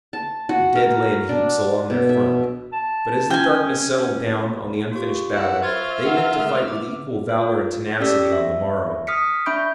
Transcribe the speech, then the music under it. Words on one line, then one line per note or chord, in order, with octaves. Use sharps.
The dead lay in heaps along their front, but as the darkness settled down on the unfinished battle they meant to fight with equal valor and tenacity on the morrow.
A5
F#4
A#4
D4
B2
E5
A5
C#4 G5 G#5
F4 G4 C#6
E4 F#4 B4 F#5
F4 C5 E5 C#6 F6 G#6 A6
D#3 D#4 A#4 F#5
G#3 A3
B3 D6
F4
C#4 G4 A4 D5 E6 B6
E5
D#6 F6 B6 C#7
D4 E5 B5 C#6 G6 D7